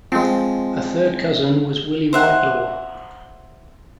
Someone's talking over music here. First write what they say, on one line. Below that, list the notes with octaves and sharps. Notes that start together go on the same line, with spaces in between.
A third cousin was Willie Whitelaw.
F3 G#3 C4
C5 E5 F#5